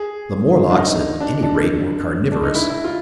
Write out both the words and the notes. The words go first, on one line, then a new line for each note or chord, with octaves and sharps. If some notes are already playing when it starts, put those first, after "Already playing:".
The Morlocks at any rate were carnivorous!
Already playing: G#4
D4
D#4
D4
D4
D4
D#4
E4
E4
F4